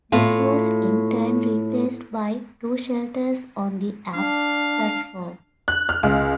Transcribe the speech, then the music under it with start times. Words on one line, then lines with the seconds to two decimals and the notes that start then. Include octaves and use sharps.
This was in turn replaced by two shelters on the Up platform.
0.12 A2 F4
4.14 D4 F5
5.68 F#6
5.89 F6
6.03 C#2